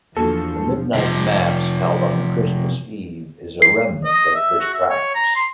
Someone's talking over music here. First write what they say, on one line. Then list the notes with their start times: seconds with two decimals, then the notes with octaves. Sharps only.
The Midnight Mass held on Christmas Eve is a remnant of this practice.
0.17 E2 F3 A#3 D4 F#4 A4 A5
0.94 C3 F3
3.62 C7
4.04 D#5
4.35 E5
4.60 F#4
4.74 E5
4.90 C#5
5.15 A#5
5.36 C6